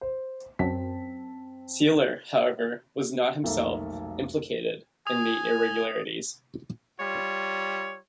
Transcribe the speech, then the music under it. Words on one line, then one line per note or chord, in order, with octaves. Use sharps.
Seeler, however, was not himself implicated in the irregularities.
C5
F#2 C4 A5 B6
F1 B1 D#3 A#3 A4 E5
G#5 D#6
G3 F4 C#5